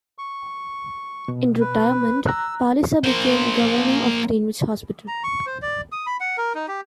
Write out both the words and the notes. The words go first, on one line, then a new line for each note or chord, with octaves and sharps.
In retirement Palliser became Governor of Greenwich Hospital.
C#6
B2
B4
A#5 E6 F#6
A#3 C5
A#5
C#6
C5
D5
D#6
B5
F#5
A#4
D#4
G4